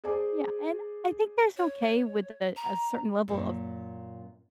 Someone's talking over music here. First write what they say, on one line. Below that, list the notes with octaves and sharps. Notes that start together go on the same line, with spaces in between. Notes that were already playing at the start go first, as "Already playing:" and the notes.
Yeah, and I think that's okay with a a certain level of
G#4 C5 D5 G#5 D6
C#5
A#5
F#2 A#2